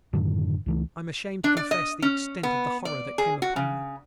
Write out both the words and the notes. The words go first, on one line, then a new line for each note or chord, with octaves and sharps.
I am ashamed to confess the extent of the horror that came upon me.
F#2 A2 D3 D#3
C#2 E3 A3
D4
D5
D#5
C#4
B3
D5
G#4
F#4
C#3